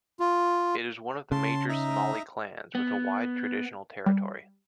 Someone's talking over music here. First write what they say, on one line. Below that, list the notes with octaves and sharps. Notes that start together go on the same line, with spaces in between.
It is one of the major Somali clans, with a wide traditional territory.
F4
C#3 A5 C6
D#4 E5 A#5
B3
G3